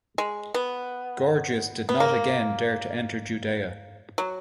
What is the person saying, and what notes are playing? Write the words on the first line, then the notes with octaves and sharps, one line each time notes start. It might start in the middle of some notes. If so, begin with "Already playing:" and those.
Gorgias did not again dare to enter Judea.
G#3
B3
B3
A#3
F#3